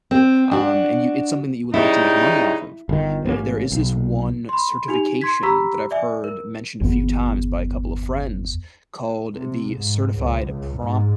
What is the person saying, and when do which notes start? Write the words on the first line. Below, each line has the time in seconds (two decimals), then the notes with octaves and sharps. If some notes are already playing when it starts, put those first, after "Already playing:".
um, and you it's something that you would like to make money off of, eh, there is this one certification that I've heard mentioned a few times by a couple of friends, called the certified prompt
0.11 C4
0.51 D4 F#4
1.74 C#3 G3 D#4 E4
2.89 G1 D#3
3.25 A1 G#2 A#3 C#4
3.72 B1
4.49 B5 C6
4.88 D#4 F#4 G4 G#5 F7
5.21 C6 G#6 B6
5.43 G4 A#5 B5 C#6 E6 B6
5.91 D5 E5 G#5
6.24 A#4
6.81 G1 E2 B3
9.34 C3
9.75 G#2
10.15 C#2
10.43 C#2
10.78 G#2